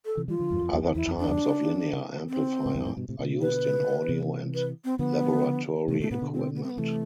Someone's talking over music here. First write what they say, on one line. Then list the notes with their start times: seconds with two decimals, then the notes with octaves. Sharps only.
Other types of linear amplifier are used in audio and laboratory equipment.
0.06 A4
0.17 C3 E3
0.28 E3 G3 F4
0.39 D3 F3
0.51 E2 G2
0.62 F2
0.73 E2 G2
0.84 E2
0.95 E2 E4
1.07 F2
1.18 F2 D4
1.29 E2 G2
2.30 C4
2.66 A2
2.75 E2 G2
2.86 F2 A2
2.97 G2 B2
3.09 A2 C3
3.19 B2 D3
3.42 B4
4.09 C3 E3
4.54 B4
4.85 C4
4.99 D3 F3 B3
5.88 C3 E3 A3
6.00 B2 D3 A3
6.11 A2 C3 B3
6.22 B2 D3
6.34 C4
6.56 B3
6.64 C4
6.70 B3
6.78 C3 E3 A3